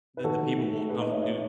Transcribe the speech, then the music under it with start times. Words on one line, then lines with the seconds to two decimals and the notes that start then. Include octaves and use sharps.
Then the people will come to
0.17 B4
0.24 D#3 F#4 A4
0.41 D#3
0.56 A3
0.73 A3
0.89 A3 G#4 B4
1.01 B4 D#5
1.06 A3
1.11 C#5 E5
1.22 A3 C#5 E5